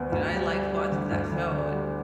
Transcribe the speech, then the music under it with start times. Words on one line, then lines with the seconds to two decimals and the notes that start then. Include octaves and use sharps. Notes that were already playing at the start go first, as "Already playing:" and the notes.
you know, I liked watching that show, and
Already playing: D2 B3
0.12 D2
0.33 G3
0.52 G3
0.72 G3
0.92 D3
1.12 D2
1.32 D3
1.52 D3
1.71 G3